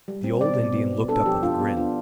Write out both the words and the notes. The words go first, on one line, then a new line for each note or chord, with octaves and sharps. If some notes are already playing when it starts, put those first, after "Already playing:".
The old Indian looked up with a grin.
G3
C4
B2 D5
B2
B3
B3
D4 A4
F3 G4
D4 F4
B3
D4 F4